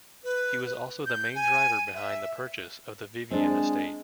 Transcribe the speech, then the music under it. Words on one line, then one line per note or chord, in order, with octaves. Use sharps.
He was also the main driver behind the purchase of the Vivian estate.
B4
G6
G#5
E5
G#3 C4 D4